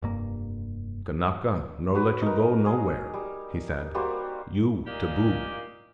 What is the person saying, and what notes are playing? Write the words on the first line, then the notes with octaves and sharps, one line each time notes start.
'Kanaka no let you go nowhere,' he said; 'you taboo.
F1 G2 A#3
F#4 B4
D#4 A#4
G#4
G3
G3 A#3 F#4 C5
A#2 A#3 G4 D5 D#5